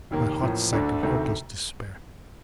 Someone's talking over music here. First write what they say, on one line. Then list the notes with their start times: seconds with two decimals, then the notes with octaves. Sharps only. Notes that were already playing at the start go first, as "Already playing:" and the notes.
My heart sank in hopeless despair.
0.11 F1 D#2 D#3 A#3
0.42 A1 A2 F3 A#3
0.72 D2 D3 A3 D4
1.03 D2 C3 D#3 A3